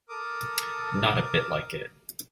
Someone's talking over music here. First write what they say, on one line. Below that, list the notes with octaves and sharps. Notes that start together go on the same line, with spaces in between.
Not a bit like it.
A4 A#4 D6 D#6